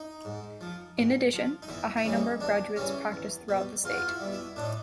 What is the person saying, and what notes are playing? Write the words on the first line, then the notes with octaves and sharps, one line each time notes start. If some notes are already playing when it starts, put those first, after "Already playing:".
In addition, a high number of graduates practice throughout the state.
Already playing: D#4
G#2
F3
G#2
F3
D#4
E2 E4
E4
C#3 E3 G3 D#4
E2 D4
C#3 E3 G3 C#4
E2
B2 G3
E2 F4
F#4
F4
E4
B2 G3
E4
A2 D4
D#4